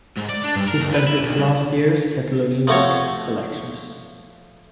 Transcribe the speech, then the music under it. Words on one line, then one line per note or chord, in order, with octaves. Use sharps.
He spent his last years cataloging book collections.
G#2
D5
D4
G2
A#4
D#2
B4
E4
B1
C2
F3 A3 F#4 C#5